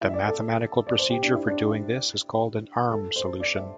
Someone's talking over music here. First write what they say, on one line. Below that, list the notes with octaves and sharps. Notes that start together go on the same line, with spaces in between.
The mathematical procedure for doing this is called an arm solution.
E4
E5
D5
A4
D5
C5
G4
D4
E4
D4
E4
A4
C5
D5
E5